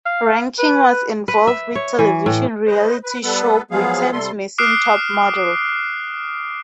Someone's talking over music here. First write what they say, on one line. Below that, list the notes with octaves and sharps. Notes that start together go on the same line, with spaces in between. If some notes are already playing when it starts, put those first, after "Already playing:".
Rankin was involved with television reality show Britain's Missing Top Model.
F5
B4
B4
E5
C#5
E3
A2
B4 C5 D#5
B4
G3 B3 A4 B4
F3 F#3 G#3 B3 G#4 F5
C3 G3 A4 C6
D6 D#6 F6 F#6 C7 D7